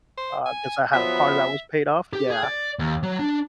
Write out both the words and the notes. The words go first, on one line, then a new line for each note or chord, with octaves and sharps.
uh, 'cause I had a car that was paid off yeah,
C5
G#5
F3 F#3 B3 E5
G4
G#4
D5
D#2
F#3
D4